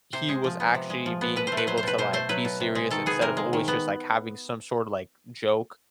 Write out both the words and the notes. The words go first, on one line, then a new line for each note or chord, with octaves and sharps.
he was actually being able to, like, be serious instead of always just, like, having some sort of, like, joke.
C3 C5
G#3
F3
B3
C3
G#3
F3
B3
B2 B4
A3 C5
B4
F#3 C5
C5
B2 B4
B2 C5
A3 C5
F#3 B4
B2
C3
G#3
D#3 A4
B3 G#4
C3 A#4
G#3
D#3
B3